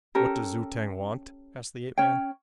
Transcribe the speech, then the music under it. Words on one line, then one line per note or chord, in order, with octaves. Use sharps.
"What does Zu-tag want?" asked the ape-man.
C#4 G4 A4 A#4
C#4 C#5 G5